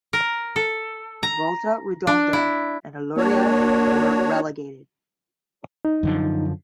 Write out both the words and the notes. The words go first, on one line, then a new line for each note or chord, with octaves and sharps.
Volta Redonda and Olaria were relegated.
A#4
A4
A#5
D4
E4
A#3 D4 F#4 C#5
D#4
F#2 D3 F3